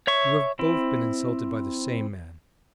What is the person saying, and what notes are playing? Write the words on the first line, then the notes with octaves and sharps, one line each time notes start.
You have both been insulted by the same man.
C#5 E5 C#6
C4 E4